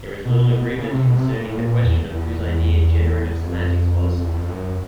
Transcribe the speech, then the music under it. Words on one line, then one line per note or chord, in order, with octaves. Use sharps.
There is little agreement concerning the question of whose idea generative semantics was.
B2
C#3
C3
B2
C3
A#2
A2
A#2
E2
E2
F2
E2
F2
F#2